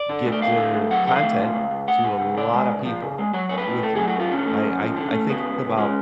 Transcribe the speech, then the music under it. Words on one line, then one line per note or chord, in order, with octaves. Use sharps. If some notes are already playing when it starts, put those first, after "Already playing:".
get their content to a lotta people quickly. I I I think about,
Already playing: D5
D3
A3
D5
D3 F5
A3
D2
F#3 F#5
D3 F#5
F5
A3
B2
C#2
C#2
A3 F#5
B2
C#2
C#3 D5
G#3
C#2
F3
C#3
G#3
F#3 C#5
A2 C#5
B4
A2
A3 A4
F#3 G#4
F#4
A2 F4
D3 C#4
A3
F#2
F3
D3
A3
C#3 B3
C#2
C#2
G#3 C#4